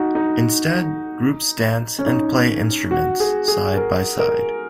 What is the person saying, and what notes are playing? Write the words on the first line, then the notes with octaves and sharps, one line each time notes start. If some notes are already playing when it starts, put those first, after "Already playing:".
Instead, groups dance and play instruments side by side.
Already playing: D#4 F#4
D#4
C#4
D#4
F#4
G#4
G#4
A#4
A#4